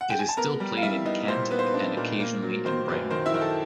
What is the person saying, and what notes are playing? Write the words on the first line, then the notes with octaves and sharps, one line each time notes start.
It is still played in Kent, and occasionally in Brighton.
F#5
G5
G#5
A5
B3 A#4 A#5
G3
F5
G3 E4 E5
B3 D#4 D#5
A#2 C5
B3 B4
C5
B4
D4
A#2
A#3
F#3
D#3 C5
F#2 B4
D#3 C5
E4 E5
D#3
A4 A5